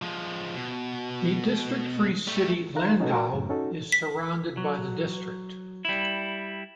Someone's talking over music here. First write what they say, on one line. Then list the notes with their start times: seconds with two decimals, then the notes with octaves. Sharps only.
The district-free city Landau is surrounded by the district.
0.02 F3 G#3
0.55 B2
2.28 G3 A3
2.75 D#3 D#4 F5 A#5 F#6
3.00 C#4 D#4 F#4 A4 B4
3.13 F#4 A#4 D5
3.33 F#2 A2 C#3
3.49 C#4 D#4 F#4 A4
3.92 B6
4.57 F#3
5.85 G3 E4